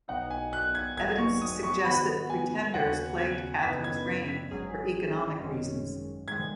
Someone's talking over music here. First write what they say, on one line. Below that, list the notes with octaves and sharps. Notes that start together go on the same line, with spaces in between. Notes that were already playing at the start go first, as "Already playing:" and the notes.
Evidence suggests that pretenders plagued Catherine's reign for economic reasons.
B1 B2 F#3 D#4 F#5
G#5
F#6
G#6
G#1 F#2 F#3 B3 D#4 G#6
C#6
D#6
C#6
G#2 D#3 B3 F#4 B5
G#5
D#2 C#3 B3 F#4 F#5
G#6
F#2 C#3 B3 D#4 B4 B6
G#6
B6
B6
G#1 G#2 F#3 C#4 G#4
G#1 F#2 D#3 G#3 C#4
G#2 D#3 G#3 G#6